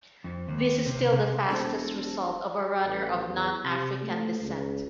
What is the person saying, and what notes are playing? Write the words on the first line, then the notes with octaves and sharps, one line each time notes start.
This is still the fastest result of a runner of non-African descent.
F2
D#2
C3
C3
E1 C4 A4 G#6
A1
E2
C3
A3
C#2